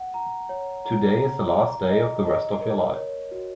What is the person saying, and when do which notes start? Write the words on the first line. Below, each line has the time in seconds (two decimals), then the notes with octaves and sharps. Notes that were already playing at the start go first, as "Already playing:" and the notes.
Today is the last day of the rest of your life.
Already playing: F#5
0.14 A#5
0.49 C#5
0.85 A#5
1.19 A#5
1.55 A#5
1.90 D#5
2.26 D#5
2.61 A#4
2.96 C#5
3.31 F#4